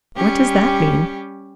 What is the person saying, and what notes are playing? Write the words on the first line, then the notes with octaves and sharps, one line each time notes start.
"What does that mean?"
G3 C#4 G4